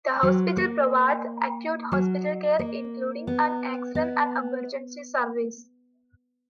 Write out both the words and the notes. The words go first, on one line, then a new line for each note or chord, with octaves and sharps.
The hospital provides acute hospital care, including an Accident and Emergency service.
F#3
A#3
F#3
A#3
B3
B3